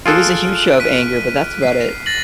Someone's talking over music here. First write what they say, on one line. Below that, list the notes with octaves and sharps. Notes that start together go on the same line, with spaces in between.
It was a huge show of anger but that's about it.
F4 G#4 A4 F6 F#6 D7
B6 D#7
C7
A6 A#6 F#7